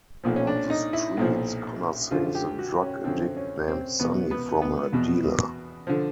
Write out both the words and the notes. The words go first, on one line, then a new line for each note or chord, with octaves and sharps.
On the streets, Connor saves a drug addict named Sunny from her dealer.
B1 A#2 F3
C#4
D4
D#4
E4
B1 A#2 F3
F#2 D3 F3 F4
G4
F#4
C#4
F#2 D3 F3 C4
C#4
C4
E2 B2 B3
B3
B3
E2 B2
D3 F3